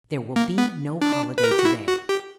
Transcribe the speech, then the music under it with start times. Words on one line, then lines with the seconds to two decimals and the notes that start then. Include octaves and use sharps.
There will be no holiday to-day.
0.36 A#3
0.58 B3
1.02 D4
1.38 B4
1.44 A#4
1.51 G4
1.59 F#4
1.65 E4
1.88 F#4
2.09 G4